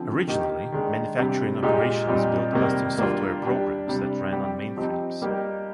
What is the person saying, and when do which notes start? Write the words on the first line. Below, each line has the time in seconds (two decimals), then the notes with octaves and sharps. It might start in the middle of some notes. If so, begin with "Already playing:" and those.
Originally, manufacturing operations built custom software programs that ran on mainframes.
Already playing: D3 F3 C4
0.27 D#3 A#3 D#4 G4
0.72 D#3 G#3 D4
1.17 C3 G3 D4 G4
1.62 A#2 G#3 D#4 G4
2.07 A#2 G3 C4 D#4
2.52 C3 D#3 G3 A#3
2.97 G3 A#3 D4 F4
3.42 G3 D4 G4
3.87 C3 G3 D4
4.32 G3 C4 G4
4.77 F3 C4 D#4 G4
5.22 G3 A#3 D#4 G4